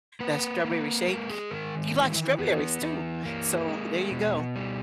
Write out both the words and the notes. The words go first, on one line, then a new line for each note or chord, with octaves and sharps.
That strawberry shake. You like strawberries too, so there you go.
A#3 B4
A#3
G#3 A#4
G#4
D#3 A#4
E3
B3
E3
A#3
G#3
B2
G3